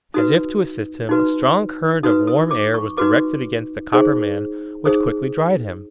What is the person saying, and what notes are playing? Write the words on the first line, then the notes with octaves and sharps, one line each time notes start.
As if to assist him, a strong current of warm air was directed against the copper man which quickly dried him.
D#4 F#4 B4 D#6
D#4 F#4 B4
D#4 F#4 B4 D#6
D#6
D6
C#6
D#4 F#4 B4 D6
D#4 G#4 C5
D#4 G#4 C5 D#6